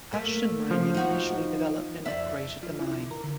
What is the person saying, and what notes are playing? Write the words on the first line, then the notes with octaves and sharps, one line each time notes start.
Ashton mining initially developed and operated the mine.
A3 A#3
F3
D#4 F#4
F2 D5 E5
F3
E4
D3
A#4
D3